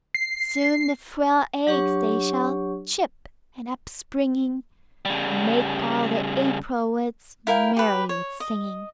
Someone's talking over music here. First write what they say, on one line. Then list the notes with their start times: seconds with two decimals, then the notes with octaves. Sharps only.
Soon the frail eggs they shall Chip, and upspringing Make all the April woods Merry with singing.
0.14 C7
1.67 F#3 D4 G4 C#5 C#6
5.05 C#3 G3
7.47 E4 A#4 F5 G5
7.76 G4 B4
8.09 C#5
8.40 D#5